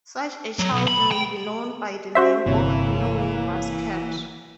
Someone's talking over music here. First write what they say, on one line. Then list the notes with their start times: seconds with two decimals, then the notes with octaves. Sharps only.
Such a child may be known by the name of Winnowing Basket.
0.59 F#3
0.73 B1
0.88 B5
1.12 G5
2.15 C#4 F#4 C5 E5
2.46 G1 C3 E3 A#3 C#5